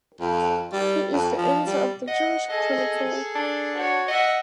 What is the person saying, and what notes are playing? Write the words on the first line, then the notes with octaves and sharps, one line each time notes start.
He is the editor of "The Jewish Chronicle".
F2
G3
F2
F3
G3
D#5 F#5
G#4 A4 D#5
D4
F#4 C#5
D#5 E5 F#5